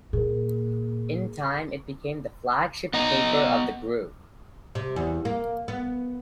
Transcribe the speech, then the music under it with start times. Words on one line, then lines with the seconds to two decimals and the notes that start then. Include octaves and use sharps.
In time, it became the flagship paper of the group.
0.13 A#2 G#4 A#4
2.93 B3 D#5 A#5
4.75 C3
4.96 E2
5.25 A#3
5.68 B3